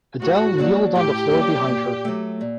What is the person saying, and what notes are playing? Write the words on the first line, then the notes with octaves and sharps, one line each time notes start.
Adele kneeled on the floor behind her.
A2 F#4
F#3 A#3 D4
A2 G4
F#3 A#3 D4
A#2
F#3 A3
A#2